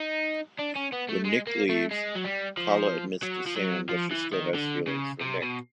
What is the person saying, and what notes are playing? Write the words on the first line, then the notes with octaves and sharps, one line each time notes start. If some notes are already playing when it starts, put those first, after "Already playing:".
When Nick leaves, Carla admits to Sam that she still has feelings for Nick.
Already playing: D#4
D4
C#4
B3
A3
G#3
A#3
A3
G#3
F#3
G3
F3
F#3
F3
F#3
F3
E3
D#3
D3
C#3
C3
B2